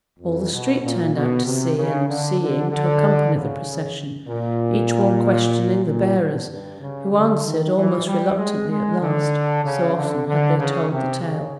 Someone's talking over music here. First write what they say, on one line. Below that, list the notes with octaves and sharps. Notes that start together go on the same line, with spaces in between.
All the street turned out to see, and, seeing, to accompany the procession, each one questioning the bearers, who answered almost reluctantly at last, so often had they told the tale.
F2
B2
A#2
B2
C3
C#3
D3
D3
D3
C#3
A#2
A#2
G2
G2
C#3
D3
D#3
E3
G3
G#3
G#3
D3
C#3
D3
D3
C#3
C3
C#3